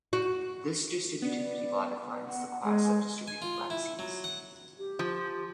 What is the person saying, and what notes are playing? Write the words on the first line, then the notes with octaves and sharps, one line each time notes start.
This distributivity law defines the class of distributive lattices.
F#4
B3 D5
F#5
G#3 G#5
G#5
F4
E4
F#3
F#5
G4
F3